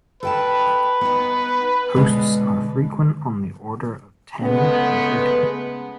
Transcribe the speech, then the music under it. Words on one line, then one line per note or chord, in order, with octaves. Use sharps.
Posts are frequent - on the order of ten every day.
A4 B4 G5 A5
B3 D#4
B2 D3 G#3
C#3 G#3 A3 B3